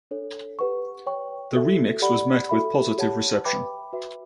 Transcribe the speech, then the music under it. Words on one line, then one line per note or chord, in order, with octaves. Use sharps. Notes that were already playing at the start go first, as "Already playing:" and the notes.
The remix was met with positive reception.
D4 A4 C#5
G4 B4 F#5 C#6
C#5 G5 C#6
F#4 A4 E5
G4 D5 F#5 B5
F#4 A4 E5 B5
G4 C#5 F#5 A5
B4 E5 G5 B5 D6
F#4 B4 E5